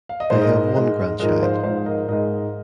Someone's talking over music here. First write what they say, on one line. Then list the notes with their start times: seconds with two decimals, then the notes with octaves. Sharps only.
They have one grandchild.
0.09 F5
0.20 D#5
0.30 G#2 G#3 C5
0.41 A#4 D#5
0.75 G#2 G#3
1.20 G#2 F3 G#3 A#4 D#5
1.42 C5 F5
1.63 G#2 F3 G#3 C5 F5
1.86 A#4 D#5
2.08 G#2 G#3 A#4 D#5